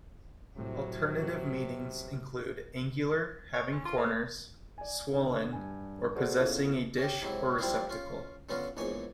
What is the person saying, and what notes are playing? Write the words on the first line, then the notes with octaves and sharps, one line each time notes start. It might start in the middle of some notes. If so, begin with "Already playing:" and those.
Alternative meanings include "angular, having corners", "swollen", or "possessing a dish or receptacle".
C2 A2 C3 F#3
C#5
C#4
F4
A2
D5 G#5
D3
G2 G#5
F#4 G#4 A4 B4 C5 D5
B3 C#4 E4 F4 G#4 A4
C#4 G4
G#2 C3 F#3 E4
F3 G3 C4 D4 E4 F4
C#4 F4
D3 F#3 B3 C#4 F4 F#4
A#1 E2 G#2 C#5 G#5